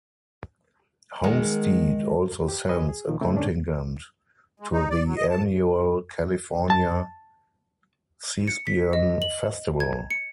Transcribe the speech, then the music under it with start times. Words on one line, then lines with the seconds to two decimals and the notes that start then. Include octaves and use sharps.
Homestead also sends a contingent to the annual California Thespian Festival.
1.24 D#3 G#3 B3
2.48 G4
2.69 B4 D#5 G#5
2.89 G#4
3.07 D#2 A#2 D#3 F3
3.21 C#3 A3 C4 E4
3.37 G#2 B2 D3 G3 C#4 D4
4.60 G#3
4.72 D#4
4.90 D5
5.05 F#3
5.17 D#5
5.30 A5
6.70 A5
8.47 C#7
8.67 B6
8.93 D#5
9.22 F#7
9.80 G#6
10.10 C#7